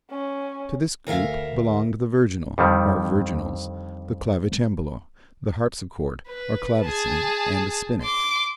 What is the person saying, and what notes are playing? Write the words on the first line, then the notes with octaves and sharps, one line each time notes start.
To this group belonged the virginal, or virginals, the clavicembalo, the harpsichord, or clavecin, and the spinet.
C#4
D2 A#4 E5 F5
F2 D3 D#3 G3
B4
G#4 A5
C6 D6